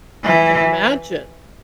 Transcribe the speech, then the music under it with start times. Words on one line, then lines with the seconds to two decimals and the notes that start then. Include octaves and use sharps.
I can imagine.
0.25 E3